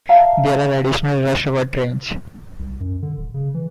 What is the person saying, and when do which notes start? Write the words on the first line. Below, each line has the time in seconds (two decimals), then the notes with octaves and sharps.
There are additional rush-hour trains.
0.09 E5 F5 A5 A#5
2.59 C2
2.80 F#2
3.02 D3
3.17 D1
3.34 C#3
3.54 E3